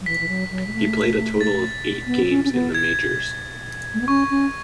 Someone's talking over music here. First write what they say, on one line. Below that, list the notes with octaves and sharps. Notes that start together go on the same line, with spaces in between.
He played a total of eight games in the majors.
F#3
E3 B6
E3
F#3
F#3
G#3
A3
A6
B3
C#4
C#4
B3
G#6
A3
B3
C#4 C#6
C#4